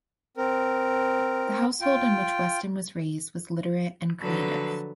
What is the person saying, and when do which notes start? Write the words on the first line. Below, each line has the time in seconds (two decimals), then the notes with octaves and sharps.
The household in which Weston was raised was literate and creative.
0.37 C4 A#4
1.81 F4 G5
4.20 D3 F3 F#3 A4 B4